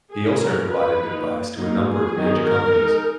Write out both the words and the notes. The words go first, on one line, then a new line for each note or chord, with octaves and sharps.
He also provided advice to a number of major companies.
G#4
F#3 C#4 F4 A#4
B4
F3 A#3 D#4
F#3 A#3 D#4
G#4
D#3 F#3 B3 D#4
A#4
G#3 D#4